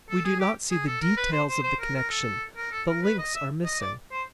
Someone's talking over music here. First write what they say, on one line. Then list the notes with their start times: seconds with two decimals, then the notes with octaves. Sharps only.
We do not see the details of the connection; the links are missing.
0.09 A4
0.24 G#4
0.40 G4
0.71 G#4
0.86 A4
1.01 A#4
1.17 B4
1.32 C5
1.49 C5
1.63 C5
1.80 A#4
1.95 A#4
2.10 A4
2.56 A#4
2.71 A4
2.88 A#4
3.03 B4
3.18 D#5
3.34 E5
3.65 D#5
3.80 D5
4.11 C5